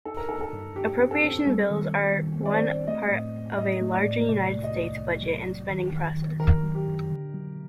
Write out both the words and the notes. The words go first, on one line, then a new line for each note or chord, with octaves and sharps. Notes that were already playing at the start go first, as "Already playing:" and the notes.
Appropriations bills are one part of a larger United States budget and spending process.
D#4 A4
A#4
D#4 A4
A4
G2
G2 G4
C4
A4
C4
G3 A4
D#3
D#3
D#3
C4
D5
C5
C4
A3 D#5
A2
A2
A2 D#5
A3
D5
A2
C3 D5
C2
D#5
C2
C2
F#3
F#3
D#3
D#3
D#3
D#3 A#4
F#3
G4
F#2
D3
F#3